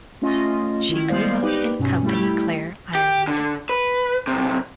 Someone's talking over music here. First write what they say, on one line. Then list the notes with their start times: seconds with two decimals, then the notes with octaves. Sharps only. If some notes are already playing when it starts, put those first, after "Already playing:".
She grew up in Company Clare, Ireland.
0.22 A3 C#4 F4 D#5
0.89 D#3 E4
1.08 G3 G#3 B3 C5 D5 F5
1.42 D#4 G4 B4 D5
1.79 G2 B2 C#4
2.03 G3 A3 E4 G4
2.95 G4
3.27 D3
3.69 B4
4.27 B1 C3